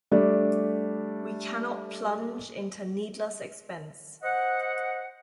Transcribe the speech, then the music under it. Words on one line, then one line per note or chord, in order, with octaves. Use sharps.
We cannot plunge into needless expense.
G3 A3 D4
C5 D#5 F#5